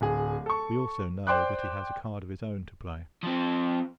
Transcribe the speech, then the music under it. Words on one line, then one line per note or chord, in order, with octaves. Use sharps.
We also know, that he has a card of his own to play.
D1 G#4
A4 C#6
C5 D5 G5 C6 D6 F#6
F3 C4